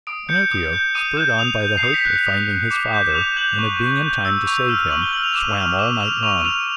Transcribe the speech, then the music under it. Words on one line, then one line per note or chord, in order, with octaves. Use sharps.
Pinocchio, spurred on by the hope of finding his father and of being in time to save him, swam all night long.
D#6 D7
G6 C#7
D#6
G6
D#6 D#7
G6 E7
D#6 F7
G6
C7
D#6 C#7
B6
F#6 C#7
B6
D#6
F#6
D6
G6
E7
D6 F7
G6 F#7
C#6
C#6
G6
E6
C#6 F7
F6 E7
C#6 F#7
G7
F6 F#7
F7
D6 E7
F6 F7
D6 E7
F6 F7
C#6 F7
F6 F7